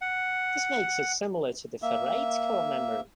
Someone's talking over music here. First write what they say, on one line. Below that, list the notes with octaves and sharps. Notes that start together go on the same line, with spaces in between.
This makes it similar to the ferrite core memory.
F#5
A#3 E5